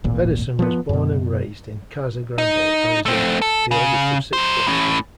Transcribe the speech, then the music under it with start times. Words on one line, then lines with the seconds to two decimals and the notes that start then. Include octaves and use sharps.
Pederson was born and raised in Casa Grande, Arizona, the oldest of six brothers.
0.04 D1 G#1 A#2
0.59 F3 G3 B3
0.89 F#2 B2
2.38 D#4
3.06 A3 C4
3.42 A4
3.71 C#3
4.33 F#3 C5
4.67 A2 C#4